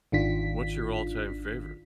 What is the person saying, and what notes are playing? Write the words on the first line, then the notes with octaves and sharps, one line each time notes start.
What's your all-time favorite?
G#1 D#3 D4 F4 B6